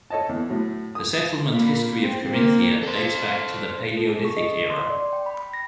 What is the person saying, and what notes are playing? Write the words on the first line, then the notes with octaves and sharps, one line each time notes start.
The settlement history of Carinthia dates back to the Paleolithic era.
A4 C#5 D#5 A5
E2
A2 F#3
D#6
A#2 A#3 B5
C4
A#3
A4 C5
A4
G#4
C#6
D#5
C6
D5
G5
B5
A#6